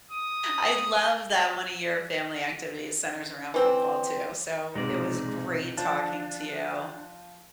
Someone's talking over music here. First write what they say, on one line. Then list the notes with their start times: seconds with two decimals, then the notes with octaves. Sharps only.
I love that one of your family activities centers around football too. So it was great talking to you.
0.11 D#6
3.54 E3 C4
4.75 B1 G#2 C3 G#3 D#4 D5
5.78 F3 D4 F4 C5 A5